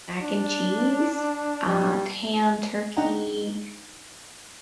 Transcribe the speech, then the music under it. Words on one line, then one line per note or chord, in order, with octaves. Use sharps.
mac and cheese, uh, ham, turkey,
D4
G3
D4 D#4 D#5 F#5 G5 A#5